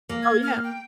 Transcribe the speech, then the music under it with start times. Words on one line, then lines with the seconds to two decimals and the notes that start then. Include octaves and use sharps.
Oh, yeah.
0.09 A#3
0.23 G#6
0.43 F6
0.64 G5